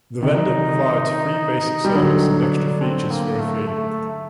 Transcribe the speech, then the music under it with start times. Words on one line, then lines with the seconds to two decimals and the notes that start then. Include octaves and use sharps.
The vendor provides free basic service, and extra features for a fee.
0.23 C3 D#3 D#4
1.85 G3
1.95 D3 F#3 D#4
2.39 D4
2.81 C4
3.11 A#3
3.40 A3
3.69 A3